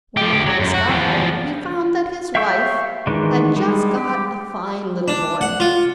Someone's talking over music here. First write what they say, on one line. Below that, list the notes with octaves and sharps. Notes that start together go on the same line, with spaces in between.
When the prince got home he found that his wife had just got a fine little boy.
F3 G4
D2 G4
F#3
F#2
F#4
E2 F3
E5 F5 G5 C#6 E6
D#3 E3 G#3 D4
G3 G#3 D4
G4
D4
F#5
F4